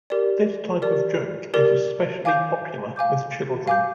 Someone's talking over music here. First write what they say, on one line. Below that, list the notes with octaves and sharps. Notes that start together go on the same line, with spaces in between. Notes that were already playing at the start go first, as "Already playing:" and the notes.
This type of joke is especially popular with children.
G4 A#4 D5
G4 A#4 D5
G4 A#4 D5
F5 G#5 D6 G6
F5 G#5 D6 G6
F5 G#5 D6 G6